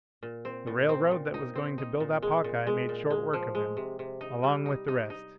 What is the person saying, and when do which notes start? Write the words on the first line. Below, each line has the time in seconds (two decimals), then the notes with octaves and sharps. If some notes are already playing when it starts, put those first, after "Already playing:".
The railroad that was going to build up Hawkeye made short work of him, along with the rest.
0.23 A#2
0.45 C4
0.67 A#2
0.89 C4
1.11 A#2
1.34 D#4
1.55 C4
1.78 D#4
2.00 A#2
2.22 G#3
2.44 A#2
2.67 G#3
2.89 A#2
3.10 G#3
3.33 F3
3.55 G#3
3.77 C3
3.99 C3
4.21 D#4
4.44 G3
4.66 D#4
4.88 D#4
5.10 D#4